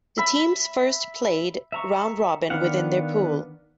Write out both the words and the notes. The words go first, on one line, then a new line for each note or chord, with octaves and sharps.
The teams first played round-robin within their pool.
E5 B5
E5 A#5 C#6
D#3 B3 D4 F5 F#5